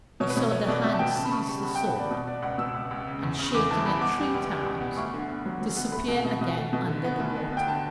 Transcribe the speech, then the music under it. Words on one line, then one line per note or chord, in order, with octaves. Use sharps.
He saw the hand seize the sword, and shaking it three times, disappear again under the water.
B2 C#5
B4
B2 C#5
A3 C#5
B2 D5
B2 E5
A5
B2 G5
C#3 A5
B5
C#3 C#6
G3 C#6
B3 B5
B3 G5
F#5
B3 D5
B2
B3 D5
C#2 F#5
B2 E6
C#2
C#2
C#3
E2
C#3
E2 D6
E3 A5
E2 B5
B3 D6
G3
C#2
G3
C#2
B3
D2 C#6
D3
B3
F#3
F#3
B3
A3 B5
B2
B2
B2
A3
B2
D3
B3
D2
B3
B3
G5
D3 A5